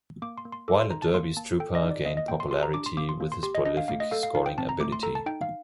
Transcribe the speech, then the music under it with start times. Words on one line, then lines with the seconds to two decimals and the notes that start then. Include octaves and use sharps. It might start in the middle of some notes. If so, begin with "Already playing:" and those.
While at Derby Strupar gained popularity with his prolific scoring ability.
0.22 A#3 D6
0.38 C6
0.45 A#3
0.52 C6
0.68 A4 D6
0.80 C6
0.90 D#4 A#5
1.02 A5
1.14 A#3 C6
1.37 A#3 A5
1.60 A4 G5
1.75 D#5
1.83 D#4
1.91 D5
2.06 A#3 D#5
2.17 D#5
2.28 A#3 G5
2.40 C6
2.51 G4 C6
2.63 A#5
2.74 D4 D6
2.86 C6
2.97 A#3 D6
3.09 C6
3.20 A#3
3.32 C6
3.43 G4 C6
3.55 D#5
3.66 D4 D#5
3.77 F5
3.88 A3 F5
4.00 D#5
4.11 A4 F5
4.23 F5
4.35 D#4 F5
4.46 G5
4.58 C4 A5
4.69 A#5
4.80 A3 D6
4.92 C6
5.03 A4 A#5
5.15 A5
5.26 D#4 G5
5.41 F5